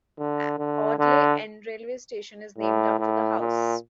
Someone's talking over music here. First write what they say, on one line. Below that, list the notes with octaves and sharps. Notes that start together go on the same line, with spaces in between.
Audley End railway station is named after the house.
D3
D3
D3
A2
A2
A#2